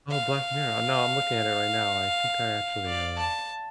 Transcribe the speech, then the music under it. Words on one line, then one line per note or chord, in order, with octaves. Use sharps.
Oh, Black Mirror. No, I'm looking at it right now, I think I actually, uh,
F5
D5
A5